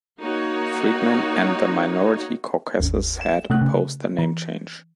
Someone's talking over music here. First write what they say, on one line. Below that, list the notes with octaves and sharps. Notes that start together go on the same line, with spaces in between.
Friedman and the minority caucuses had opposed the name change.
A#3 D#4 F#4 C#5
G1 D#2
E7
C3 A3 F#6
C#3
E3